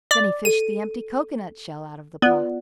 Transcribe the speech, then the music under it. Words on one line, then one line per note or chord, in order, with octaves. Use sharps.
Then he fished the empty cocoanut shell out of the pot.
D5
A4 D#7
B3 F4 D5